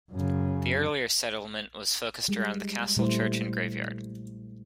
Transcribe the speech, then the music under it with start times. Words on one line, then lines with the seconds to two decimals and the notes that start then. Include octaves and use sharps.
The earlier settlement was focused around the castle, church and graveyard.
0.11 F#2 C#3
2.28 G3 G#3
2.97 A#2 G3 A3 E4 C5